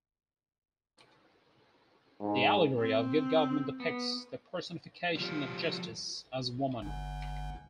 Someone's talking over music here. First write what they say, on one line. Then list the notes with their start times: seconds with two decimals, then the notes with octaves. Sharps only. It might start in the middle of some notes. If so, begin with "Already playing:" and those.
The Allegory of Good Government depicts the personification of Justice as a woman.
2.20 G#2
2.78 C4
3.80 B3
5.16 F3 G3
6.82 G1